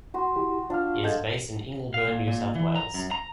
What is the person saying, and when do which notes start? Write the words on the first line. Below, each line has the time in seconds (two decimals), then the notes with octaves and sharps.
It is based in Ingleburn, New South Wales.
0.14 F#4 C6
0.36 E4 G4
0.70 D4 F4 F5 F6
1.04 A4 D#5 F5 A5 G6 G#6
1.94 F5
2.07 A#2
2.27 A#2
2.55 E3
2.76 A#5
2.94 F#2
3.11 A#5